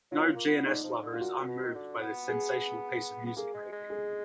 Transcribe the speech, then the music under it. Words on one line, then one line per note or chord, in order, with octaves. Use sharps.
No G and S lover is unmoved by this sensational piece of music making.
F#3 F4
A#3
B3
D3 D#4
F3
D3
F4
A#2 F#4
B2
D#3
D3
B3
G#4
B3
A#3 G#4
G#3
G#3
G#4